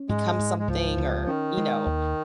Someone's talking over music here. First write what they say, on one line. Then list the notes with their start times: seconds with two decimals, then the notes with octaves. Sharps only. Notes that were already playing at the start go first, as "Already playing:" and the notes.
become something or, you know.
Already playing: C#4
0.09 G#2 G#3
0.39 G#2
0.59 G#3
0.68 C#2 F3
0.98 C#2
1.27 D#3 C#4
1.57 G#3
1.86 D#2